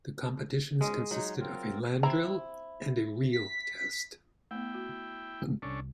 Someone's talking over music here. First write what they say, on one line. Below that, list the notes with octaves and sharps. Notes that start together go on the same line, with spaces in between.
The competitions consisted of a land drill and 'reel test'.
G#2 B2 G#3 C#4
F#3 G#3 D#4
C4 F4 A#4
C4 E4 A#5
B6
A3 B3 E4 G5
F#4
C2 C#4 D4 A4